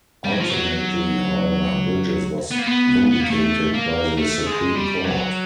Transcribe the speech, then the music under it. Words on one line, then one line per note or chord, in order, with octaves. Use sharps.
Ultimately, however, Bridges was vindicated by the Supreme Court.
G3
F#3
F3
F#3
B3
A#3
B3
B3
A#3
A3
A#3
A3
G#3
G3
F#3